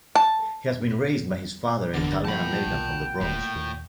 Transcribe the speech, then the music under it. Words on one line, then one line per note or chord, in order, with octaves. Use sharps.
He has been raised by his father, an Italian-American from the Bronx.
A5
G1 D3 B3 A#4 A6
A#2 F3 F#5 G5 A5 B5
B1
D#1 A2
D#2